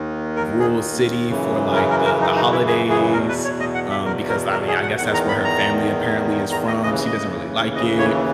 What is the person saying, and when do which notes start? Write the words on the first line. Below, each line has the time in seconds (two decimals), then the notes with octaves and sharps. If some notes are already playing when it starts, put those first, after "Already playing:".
rural city for, like, the the holidays, um, because, I mean, I guess that's where her family apparently is from. She doesn't really like it,
Already playing: D#2 D#3
0.36 A#4
0.59 G#4
1.28 F#2 C#3 E3
1.75 A#4
1.90 A#4
2.05 A#4
2.21 D#4
2.36 D#4
2.51 E4
2.67 G#4
2.90 G#4
3.13 E2 B2 A#4
3.29 B4
3.44 C#5
3.60 D#5
3.75 F#5
3.90 E5
4.05 A#4
4.29 A#4
4.52 A#4
4.68 G#4
4.83 F#5
4.98 E2 D#3 F#5
5.14 A#5
5.28 B5
5.44 A#5
6.52 A#5
6.67 D#5
6.83 D#2 C#3 E3 D#5
7.06 D#5
7.75 D#5
7.99 C#5